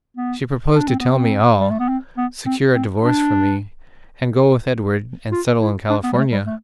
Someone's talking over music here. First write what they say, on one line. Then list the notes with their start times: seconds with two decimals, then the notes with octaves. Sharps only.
She proposed to tell me all, secure a divorce from me, and go with Edward and settle in California....
0.17 B3
0.75 D4
0.88 C4
1.00 B3
1.12 C4
1.60 G3
1.71 A3
1.79 B3
1.89 C4
2.17 B3
2.46 C4
2.75 C4
3.04 D4
5.32 F4
5.61 E4
5.90 D4
6.04 B3
6.13 G3
6.18 A3
6.32 G3
6.46 A3